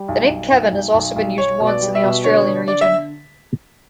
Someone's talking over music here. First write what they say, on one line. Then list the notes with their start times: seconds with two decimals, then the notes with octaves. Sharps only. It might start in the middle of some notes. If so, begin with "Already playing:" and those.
The name Kevin has also been used once in the Australian region.
Already playing: G3
0.08 B1
0.29 B1
0.52 B1
0.72 B1
0.94 B1
1.16 B1
1.37 B1 C#5
1.60 B2
1.67 D5
1.81 G3
1.95 E5
2.04 B2
2.24 D3 C#5
2.46 D3
2.68 D3 D5
2.81 E5